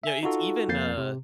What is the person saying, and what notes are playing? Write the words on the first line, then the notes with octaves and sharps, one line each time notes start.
you know, it's even, uh
E5 G#5
D#4 F4 F#4 A4
F2 A#3 G6 A6 C7
C3